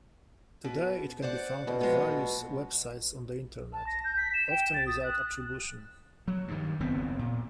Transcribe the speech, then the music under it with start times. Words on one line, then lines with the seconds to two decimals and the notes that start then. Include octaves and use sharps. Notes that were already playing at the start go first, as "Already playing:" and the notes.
Today, it can be found at various websites on the Internet, often without attribution.
0.64 B2
1.22 C5 D5 F#5
1.67 E2 B2
1.81 F3 G#3 B3
2.02 A#2
3.73 A5
3.86 A#6
4.04 G6
4.17 B6
4.33 E7
4.50 G5
4.74 A6
4.86 D#6
5.03 F#6
6.28 F#3
6.48 G2 D#3
6.80 F#1 E2 B3 C4
7.19 A#2